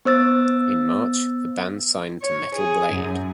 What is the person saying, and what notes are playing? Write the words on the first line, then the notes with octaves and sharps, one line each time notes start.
In March, the band signed to Metal Blade.
B3 C5 E6 A6
C#5
G#4
F#2